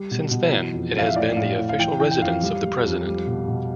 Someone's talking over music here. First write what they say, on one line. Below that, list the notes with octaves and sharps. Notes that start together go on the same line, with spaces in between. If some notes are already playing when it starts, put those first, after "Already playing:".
Since then, it has been the official residence of the President.
Already playing: G3
B2
B2
E3
F2
F2 F5
E5
A2 D5
A2 F5
A2
F5
E3 G5
E3 G5
G5
F2 F5
G3
G3
F2
G3
B2
B2